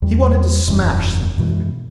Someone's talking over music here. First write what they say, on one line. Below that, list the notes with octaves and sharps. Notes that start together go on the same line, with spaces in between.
He wanted to smash something.
E2 G3
E1 F#2 E3
F#2 B2 E3 G#3